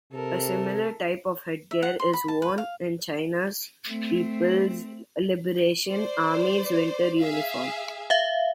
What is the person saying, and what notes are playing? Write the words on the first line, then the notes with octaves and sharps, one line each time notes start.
A similar type of headgear is worn in China's People's Liberation Army's winter uniform.
C3 A4 A#4
E5
F#5
C6
B5
A5
B4
F5
A3 C4
C5 D5
G#4 E5 F5
E5 F5